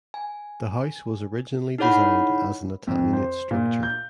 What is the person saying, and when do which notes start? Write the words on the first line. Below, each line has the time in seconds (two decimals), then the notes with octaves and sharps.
The house was originally designed as an Italianate structure.
0.14 G#5
1.78 D#4 E4 G#4 C#5 F#5 B5
2.87 F2
3.13 C5
3.51 A#2
3.83 G6